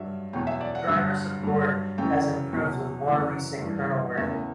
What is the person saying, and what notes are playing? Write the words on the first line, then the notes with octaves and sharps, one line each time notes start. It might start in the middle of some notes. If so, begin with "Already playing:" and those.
Driver support has improved with more recent kernel versions.
Already playing: G2 F#3 E5
E2 B2 F#3 G5
E5
D5
F#5
G2 D3 F#3 F#5
G2 F#3
F#2 C#3 E3 G5
E2 B2 F#3
F#2 E3 F#5
G2 E3
E2 C#3 E3 E5